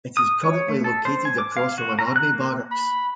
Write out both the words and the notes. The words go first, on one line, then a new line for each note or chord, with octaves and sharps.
It is currently located across from an army barracks.
D#6
C#5
A3
A4
C5
G#5
D6
F5
F#4
A#5
F#6
A#3
B5